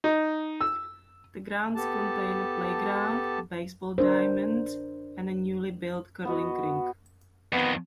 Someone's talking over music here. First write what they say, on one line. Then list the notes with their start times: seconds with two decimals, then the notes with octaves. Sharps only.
The grounds contain a playground, a baseball diamond and a newly built curling rink.
0.04 D#4
0.61 E6
1.75 B3 G4 A4 A5
3.98 D4 A#4 C5
6.25 B3 F#4 D#5
7.52 F2 D#3 B3